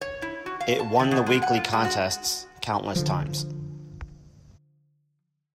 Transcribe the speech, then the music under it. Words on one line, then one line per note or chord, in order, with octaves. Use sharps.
It won the weekly contests countless times.
C#5
E4
F#4
F5
A5
D#3
B2
G#3
F#5
F4
G#3
F#4
D3 F3